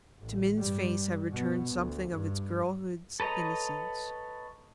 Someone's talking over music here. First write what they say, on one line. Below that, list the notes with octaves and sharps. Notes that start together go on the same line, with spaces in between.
To Min's face had returned something of its girlhood's innocence.
A1
G2 G3
B2 B3
D2
G2
A4 B4 C#5 D#5 A#5